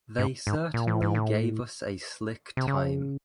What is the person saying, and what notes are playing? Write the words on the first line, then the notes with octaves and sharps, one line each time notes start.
They certainly gave us a slick time.
G#2
G#2
A#2
A2
G#2
A2
C3
C#3